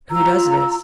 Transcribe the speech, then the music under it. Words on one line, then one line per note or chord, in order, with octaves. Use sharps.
Who does this?
F4 A#5 E6